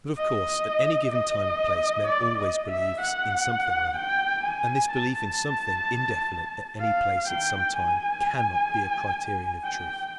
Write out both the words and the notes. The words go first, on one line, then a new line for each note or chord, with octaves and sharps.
But of course at any given time and place men always believe in something or other; and this belief in something, indefinite at any place, at some time, cannot be a criterion of truth.
D#5
D#5
D5
D#5
E5
F#5
G5
G#5
A5
F5
G5
G#5
G5